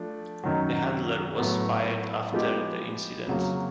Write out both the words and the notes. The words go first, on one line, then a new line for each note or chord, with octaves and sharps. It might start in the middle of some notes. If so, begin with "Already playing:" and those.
The handler was fired after the incident.
Already playing: F3 A3 D4
F#2 D#3 F#3
A2 F#3 B3
F3 G#3 B3 D#4 G4
F2 C#3 F#3 A#3